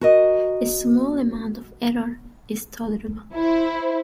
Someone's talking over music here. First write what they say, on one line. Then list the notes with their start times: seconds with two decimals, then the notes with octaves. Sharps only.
A small amount of error is tolerable.
0.01 F#4 A#4 D#5
3.34 E4 C5